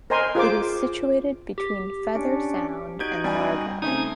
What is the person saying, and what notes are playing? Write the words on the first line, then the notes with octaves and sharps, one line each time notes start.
It is situated between Feather Sound and Largo.
A#4 C5 D#5 G#5 A#5 C6
F4 G#4 C5 D6
G4
C#4 D4
D#4 F#4 G6 G#6 D7
F#2 G3 G5 G#5
C#3 A3 C4 D#4 G#5 D#6